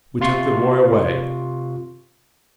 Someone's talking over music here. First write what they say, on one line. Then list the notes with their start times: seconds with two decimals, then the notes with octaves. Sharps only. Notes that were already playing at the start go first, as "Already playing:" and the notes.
We took the boy away.
0.21 C3 F4 C6 C#6